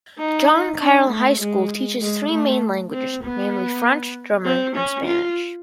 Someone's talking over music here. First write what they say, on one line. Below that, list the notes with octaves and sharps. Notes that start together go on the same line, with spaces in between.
John Kyrle High School teaches three main languages, namely French, German and Spanish.
D#4
D4
A3
G#3
G#3
A3
C4
B3
C4
C#4
F4